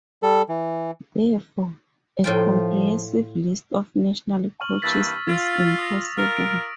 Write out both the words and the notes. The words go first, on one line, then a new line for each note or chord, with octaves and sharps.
Therefore, a comprehensive list of national coaches is impossible.
G3 A4
E3
A2 F3 F4 G5
C#6 F6 F#7
G2 E3 A#3 E6 A6 B6
F4
D#6 A#6
F4 A#4
D7